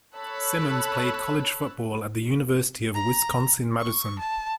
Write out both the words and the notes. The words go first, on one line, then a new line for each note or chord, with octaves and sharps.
Simmons played college football at the University of Wisconsin-Madison.
A4 C#5 A5 B5 E6 F#6
A#5
C#6
A5